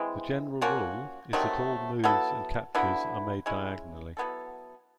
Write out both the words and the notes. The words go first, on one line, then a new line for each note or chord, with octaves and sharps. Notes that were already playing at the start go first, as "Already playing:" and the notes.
The general rule is that all moves and captures are made diagonally.
Already playing: E3 G#3 C4
F3 A#3 C#4 F#4
C3 D#3 F#3 A3
F#3 B3 E4 A4
D3 F#3 B3 E4
G#3 C#4 E4
F#3 B3 E4 A4